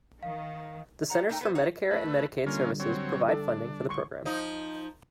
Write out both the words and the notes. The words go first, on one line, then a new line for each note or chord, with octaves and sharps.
The Centers for Medicare and Medicaid Services provide funding for the program.
D#3 F5
G3 C#5 F#5 A#5
A3 D4 D#4 A#4 G5
B3 B4 C5
D#4 C#5 F#5
A3 B4
D3 G3 A#3 C#4 F4
F#3 C4 C#5
D4 A4
C6 C#6
F3 D#4